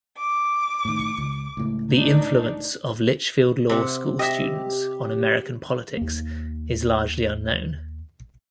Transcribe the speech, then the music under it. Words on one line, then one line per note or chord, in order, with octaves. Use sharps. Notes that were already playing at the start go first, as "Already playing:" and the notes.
The influence of Litchfield Law School students on American politics is largely unknown.
D6
A2 D#3
C#2
C#2 A2
D4 D#4
C3 F#5
G4 D#5 E5
D#2 A#3